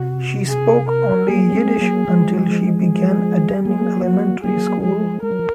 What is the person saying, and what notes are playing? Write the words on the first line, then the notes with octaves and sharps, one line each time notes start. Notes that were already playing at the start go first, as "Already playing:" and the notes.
She spoke only Yiddish until she began attending elementary school.
Already playing: C3 F#4
G#4
A#4
F#3 A#3 G#4
G#3 C4
F#3 A#3
F3 G#3
G#4
F#3 A#3 G#4
F#4
F#3 A#3 G#4
F3 G#3 G#4
G#3 A#4
F#3
F3